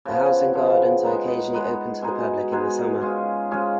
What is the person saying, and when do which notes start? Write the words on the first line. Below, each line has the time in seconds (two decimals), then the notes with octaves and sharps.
The house and gardens are occasionally open to the public in the summer.
0.05 C#3 F3 B3
0.54 C#3 F3 B3
1.04 G#3 B3 D#4
1.53 G#3 B3 D#4
2.02 B2 G#3 D#4 G#4
2.52 B2 G#3 D#4 G#4
3.01 G#3 C#4 F4 G#4
3.51 G#3 C#4 F4 G#4